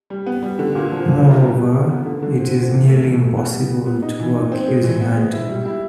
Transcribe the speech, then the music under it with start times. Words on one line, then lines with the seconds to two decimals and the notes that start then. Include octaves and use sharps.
Moreover, it is nearly impossible to work using hand tools.
0.10 G3
0.26 B3
0.43 G3
0.59 D3
0.75 A#2
0.92 F3
1.08 F3
1.24 A#3
1.41 G3
1.57 B3
1.73 A#2
1.90 B3
2.06 D3
2.22 D3
2.39 C4
2.55 C4
2.71 E3
2.88 A3
3.04 E3
3.21 A3
3.37 B3
3.53 G3
3.70 B3
3.86 B3
4.02 D#4
4.19 E3
4.35 D#4
4.52 C4
4.68 G#3
4.84 E3
5.01 B3
5.17 G#3
5.33 E4
5.49 G3
5.66 E4